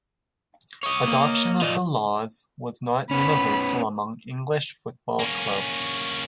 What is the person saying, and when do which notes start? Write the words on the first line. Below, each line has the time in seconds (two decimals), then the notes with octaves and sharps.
Adoption of the laws was not universal among English football clubs.
0.83 C#5 D#5
1.08 A#3
1.62 F3 D#4 F4 D5
3.11 B3 C#4 B5
5.19 A#3 C#4